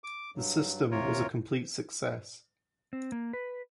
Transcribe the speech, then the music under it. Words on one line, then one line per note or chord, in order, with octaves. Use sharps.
The system was a complete success.
D6
G2 F#3
D#2 C3 F4 A#4 C#5
C4
A#3
B4